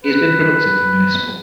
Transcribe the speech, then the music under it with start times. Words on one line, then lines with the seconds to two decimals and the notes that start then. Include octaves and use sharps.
He has been productive for Municipal.
0.04 B4